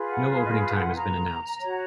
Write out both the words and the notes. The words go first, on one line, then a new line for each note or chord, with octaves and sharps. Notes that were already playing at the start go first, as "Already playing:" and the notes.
No opening time has been announced.
Already playing: F4 G#4 B4
F#5
F5
D#5
F5
F#5
A#5
F#4 C#5